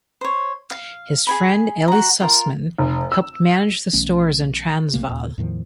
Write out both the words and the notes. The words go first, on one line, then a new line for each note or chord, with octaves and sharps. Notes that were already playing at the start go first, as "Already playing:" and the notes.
His friend Eli Susman helped manage the stores in Transvaal.
C5 C#5
F5
G#4 G#5 B5
F#4 A#5
F4 G4 A#4
F1
E6
B1 E3 A3 C#4
B1 C3 A3 A#3
D#2 A#2
E2 A2 D#3 F3